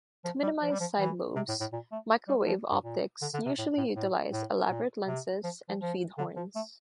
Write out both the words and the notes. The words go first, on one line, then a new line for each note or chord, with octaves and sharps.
To minimize side lobes, microwave optics usually utilize elaborate lenses and feed horns.
F3
G3
F3
G3
F3
E3
C3
A2
A2
A#2
A3
G3
F3
G2
A#2
D3
D3
C3
A2
A2
A2
A2
A#2
C3
F3
F3
F3
D3
F3
A3